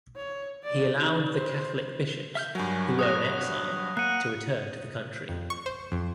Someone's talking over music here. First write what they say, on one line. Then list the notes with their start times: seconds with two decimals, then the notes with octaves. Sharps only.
He allowed the Catholic bishops, who were in exile, to return to the country.
0.16 C#5
0.64 D5
0.98 D#4
1.34 C5
2.35 E5 F6 G6
2.55 G2 F#3 A#4 C#5 G#5
2.99 C#5 D#6 F#6 A#6
3.97 A#3 F#5 F#6 D#7
5.29 F2
5.50 C#6
5.66 C5
5.92 F2